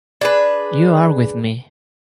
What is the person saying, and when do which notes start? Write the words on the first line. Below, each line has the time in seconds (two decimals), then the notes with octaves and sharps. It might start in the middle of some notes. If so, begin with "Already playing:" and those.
You are with me.
0.21 D4 G#4 B4